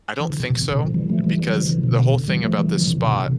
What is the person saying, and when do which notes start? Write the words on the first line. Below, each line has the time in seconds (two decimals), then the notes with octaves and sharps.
I don't think so, because the whole thing about this spot,
0.20 E3
0.30 D3
0.40 C3
0.50 B2
0.62 C3
0.72 B2 D3
0.83 D3 F3
0.94 E3 G3
1.09 F3 A3
1.24 E3 G3
1.39 E3 G3
1.54 D3 F3
1.69 C3 E3
1.83 B2 D3
2.28 E3 G3
2.43 F3 A3
2.58 E3 G3
2.73 D3 F3
2.88 C3 E3
3.03 B2 D3
3.18 C3